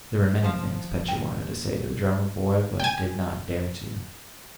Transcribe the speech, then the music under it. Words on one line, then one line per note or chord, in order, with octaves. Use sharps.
There were many things Petya wanted to say to the drummer boy, but did not dare to.
F3 C5 F5
D#2 G5
G5 G#5